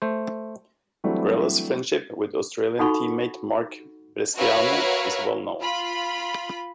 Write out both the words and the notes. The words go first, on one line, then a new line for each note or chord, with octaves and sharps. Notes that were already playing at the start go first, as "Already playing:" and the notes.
Grella's friendship with Australian teammate Mark Bresciano is well known.
A3 C5
E3 F#3 G3 A3 C4 D4
D#4 F#4 A4 F#5 B5 C#6
F#4 A#4 B4 C#5 E5 F5
F4 B5